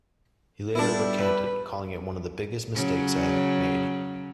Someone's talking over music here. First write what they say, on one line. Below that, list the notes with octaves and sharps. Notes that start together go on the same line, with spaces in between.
He later recanted, calling it One of the biggest mistakes I have made.
G3 B3 D4 E4 F4 A4
B4 E6
C#3 F#3